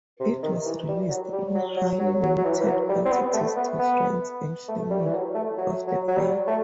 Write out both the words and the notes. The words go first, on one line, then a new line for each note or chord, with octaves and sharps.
It was released in highly limited quantities to friends and family of the band.
C3
D#3
E3
G3
F#3
G3
F#3
F#3
F#3
F#3
F#3
E3
E3
F#3
G3
C4
B3
A3
B3
B3
A3
G3
E3
F#3
A3
F#3
F#3
F#3
G3
A3